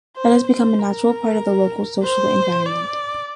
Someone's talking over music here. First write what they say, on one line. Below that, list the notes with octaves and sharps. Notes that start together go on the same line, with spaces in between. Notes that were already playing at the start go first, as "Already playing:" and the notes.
It has become a natural part of the local social environment.
C5
C5
A#4
C5
D5